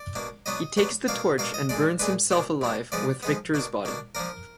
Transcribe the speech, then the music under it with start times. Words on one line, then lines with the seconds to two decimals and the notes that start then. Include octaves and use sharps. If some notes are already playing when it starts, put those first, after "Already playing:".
He takes the torch and burns himself alive with Victor's body.
Already playing: D5
0.15 B2 A#3 D4
0.46 B2 F#3 B3 D4 D#5
0.77 B2 F#3 B3 D4
1.08 B2 A#3 D4 F5
1.38 B2 A#3 D4 F5
1.54 D#5
1.69 A#2 G#3 D4 D5
1.99 A#2 G#3 D4 B4
2.31 B2 A#3 D4
2.61 B2 A#3 D4
2.92 F3 G#3 B3 D5
3.23 F3 G#3 B3
3.54 B2 A#3 D4
3.85 B2 A#3 D4
4.15 F3 A#3 D4 A#4